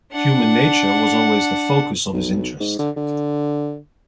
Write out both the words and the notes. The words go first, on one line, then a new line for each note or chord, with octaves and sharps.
Human nature was always the focus of his interest.
D4 F#5
B1
G#2
D3
D3